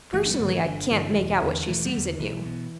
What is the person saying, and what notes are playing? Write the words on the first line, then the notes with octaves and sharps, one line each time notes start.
Personally, I can't make out what she sees in you.
G1 E3 A3
D4
G3 B3
G2 D3
E3 A3
G1 D3
G2 D3 E3
E1
E2 D3
E1 E3 A3
G3 B3
E2 D3
B1 E3
B2